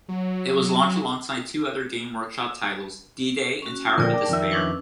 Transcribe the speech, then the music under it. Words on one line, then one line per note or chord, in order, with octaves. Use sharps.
It was launched alongside two other Games Workshop titles, D-Day and Tower Of Despair.
F#3
C#4 F#4
A#2 D3 F3 A#4 D5 G5
D4
F2 D#3 E5
C#4 D4 B4